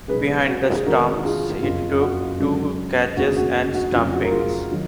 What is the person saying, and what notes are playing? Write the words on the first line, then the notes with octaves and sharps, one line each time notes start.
Behind the stumps he took two catches and stumpings.
B1 B2 G#3 G#4 B4
F#4
G#4
F2 D#3 G#3 F#4 A#4
F4 G#4
F#1 F2 C#3 F4
F#4
C#2 C#3 F#3
F1 D#2 C#3 F#4
G#4
F#4
F#4
F1 F2 C#3 F#3 F4
F#4
A#4
F4 G#4
D#3 F#3